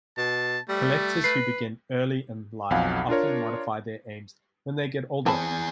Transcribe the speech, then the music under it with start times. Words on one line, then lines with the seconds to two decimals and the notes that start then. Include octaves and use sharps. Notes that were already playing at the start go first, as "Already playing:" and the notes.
Collectors who begin early in life often modify their aims when they get older.
0.17 B2 A5
0.69 G3 A3
1.24 B4 C7
2.70 B1 F2 F5 F#5 G#5
3.09 D4 F4 A#4 C#5
5.26 E3 C4 G#4 A5 B5